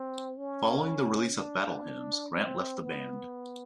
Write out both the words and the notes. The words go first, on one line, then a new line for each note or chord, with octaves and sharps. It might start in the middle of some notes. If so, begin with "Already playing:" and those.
Following the release of "Battle Hymns" Grant left the band.
Already playing: C4
C#4
D4
C4
B3